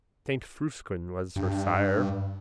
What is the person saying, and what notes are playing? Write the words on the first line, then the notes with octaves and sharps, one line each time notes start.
Saint Frusquin was her sire.
G2